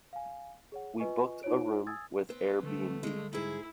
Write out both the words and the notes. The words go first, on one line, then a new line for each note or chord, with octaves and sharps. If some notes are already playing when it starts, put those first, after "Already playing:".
We booked a room with Airbnb.
F5 G#5
G#4 C#5 F#5
F4 B4 D#5 G#5 C#6
D#4 F4 C5 C#5 D7
G#5 D#6 E6 G#6 A6
B3 C4
D3 G3 A3
G2 G#3
G#2 E4 G#4